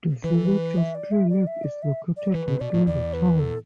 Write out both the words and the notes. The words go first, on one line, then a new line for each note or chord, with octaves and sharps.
The Village of Clear Lake is located within the town.
E3 B4
A4
B4
E5
D5
E5
D5
E5
D5
E5
D5
E3 B4
B2
B2 D5
A2
E2 D5
B4
A4